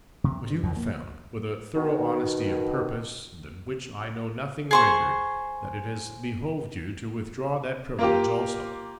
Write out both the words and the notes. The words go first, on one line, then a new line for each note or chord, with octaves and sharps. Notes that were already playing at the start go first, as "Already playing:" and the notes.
But you have found,--with a thorough honesty of purpose than which I know nothing greater,--that it has behoved you to withdraw that privilege also.
C3
G2
E2
A#3
B2 D#3
G#4 C5 C#6
A#3 F4 G4